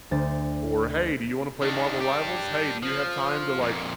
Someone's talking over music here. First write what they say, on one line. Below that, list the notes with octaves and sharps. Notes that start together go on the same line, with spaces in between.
Or, "Hey, do you wanna play Marvel Rivals? Hey, do you have time to, like,
D2 C5 A6
D#3 D4
D4 G4
F3
F2 A#2